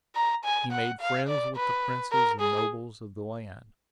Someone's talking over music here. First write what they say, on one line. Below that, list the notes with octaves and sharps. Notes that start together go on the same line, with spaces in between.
He made friends with the princes and nobles of the land.
A#5
G#5
F#5
F5
D5
B4
A#4
G#4